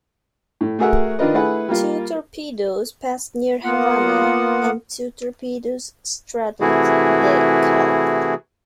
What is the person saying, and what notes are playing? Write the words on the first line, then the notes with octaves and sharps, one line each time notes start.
Two torpedoes passed near "Havana" and two torpedoes straddled "DeKalb".
A2
A3 F#4 G#4 A#4 E5 F#5
D#3 D4 F4 A#4 B4 D#5
A3 E4 G#4 B4 F#5
G3 A#3 F4
A#3 B3 F4 F#5
C3 E3 A3 E4 F#4 G#4